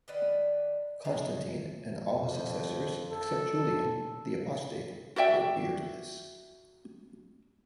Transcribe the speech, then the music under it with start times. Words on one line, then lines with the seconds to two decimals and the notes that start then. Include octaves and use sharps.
Constantine and all his successors, except Julian the Apostate, were beardless.
0.08 D#3 D4 B4 F#5
1.04 A2 G#3
2.10 F2
3.11 A4
5.16 F#4 D5 E5 G5